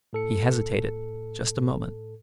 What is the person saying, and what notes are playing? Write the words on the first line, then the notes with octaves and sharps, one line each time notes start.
He hesitated just a moment.
A2 A4 C#7